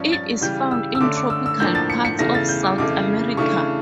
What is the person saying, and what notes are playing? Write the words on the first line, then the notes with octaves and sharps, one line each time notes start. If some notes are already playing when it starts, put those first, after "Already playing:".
It is found in tropical parts of South America.
Already playing: G2 F3 C#4
A6
C#3 E3 G3 G6
E6
E6
D3 A3 C#4 D6
D6
E6
E6
A2 F3 A#3 D4 G6
A6
C#7
C#7
E2 C#3 E3 A3 A#6
A6
G6
D6
F2 C#3 E3 A3 D6
C#3 E3 A3 D4 C#6